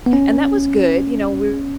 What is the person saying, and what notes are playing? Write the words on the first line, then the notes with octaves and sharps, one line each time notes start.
and that was good, you know, we
B3
C#4